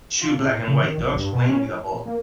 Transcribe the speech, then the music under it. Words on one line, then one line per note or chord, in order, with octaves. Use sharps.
Two black and white dogs playing with a ball.
F4
A2
C#3
D#3
A#1
G2
B2
C#4
A2
A#2
A#3